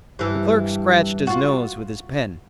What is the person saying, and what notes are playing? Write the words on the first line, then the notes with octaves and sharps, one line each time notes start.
The Clerk scratched his nose with his pen.
G2 E3
F4 F#4